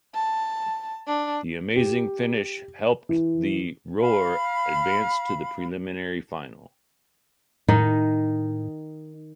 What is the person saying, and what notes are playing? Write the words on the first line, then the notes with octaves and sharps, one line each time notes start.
The amazing finish helped the Roar advance to the preliminary final.
A5
D4
G4
E3
F5 B5
A2 D#3 D#4